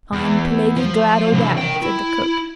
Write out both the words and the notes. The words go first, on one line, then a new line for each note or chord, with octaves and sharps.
"I'm plaguy glad o' dat," said the cook.
E2
F3
C3 E3
A#4 G5
E4